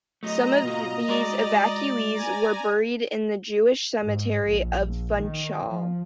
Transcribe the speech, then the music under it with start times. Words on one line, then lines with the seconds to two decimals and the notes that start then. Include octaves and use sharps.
Some of these evacuees were buried in the Jewish Cemetery of Funchal.
0.23 F#3 A3 D#5 A#5
0.64 B2 F4 F#4
1.09 G#3 F#4 D5
2.14 G#5 A#5
4.00 G#2
4.46 A#1
5.17 D#3
5.64 F3